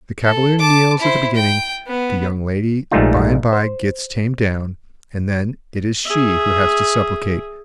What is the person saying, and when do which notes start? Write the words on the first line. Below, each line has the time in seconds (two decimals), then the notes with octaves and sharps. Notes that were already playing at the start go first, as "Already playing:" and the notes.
The cavalier kneels at the beginning, the young lady by and by gets tamed down, and then it is she who has to supplicate.
0.23 A4
0.59 A5 D6
1.00 E4 C5
1.35 G5
1.87 B3
2.91 A#1 G#2 G3 A3 D#4 F4
3.53 C5
6.06 G#4 E5